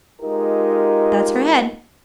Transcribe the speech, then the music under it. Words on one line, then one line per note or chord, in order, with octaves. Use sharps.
That's her head.'
G#3 D#4 F4 G4 A#4